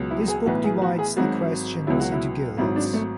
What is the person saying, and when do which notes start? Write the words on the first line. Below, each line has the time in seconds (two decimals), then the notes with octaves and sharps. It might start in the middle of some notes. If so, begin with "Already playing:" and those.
This book divides the questions into guilds.
Already playing: C#2 B2 F#3
0.11 E4
0.28 G#4
0.46 B1 A2 E3 F#4
0.64 G#4
0.82 F#4
0.99 G#4
1.17 G#1 G#2 F#3 F#4
1.87 C#2 B2 F#3 E4
2.00 F#4
2.12 E4
2.57 G#1 G#2 F#3 E4
2.76 D4
2.93 A3